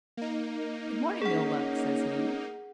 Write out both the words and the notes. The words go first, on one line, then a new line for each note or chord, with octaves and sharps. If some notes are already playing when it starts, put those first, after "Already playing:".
"Good-morning, Ill-Luck," says he.
A#3 D#4
C#4 G#4 F#5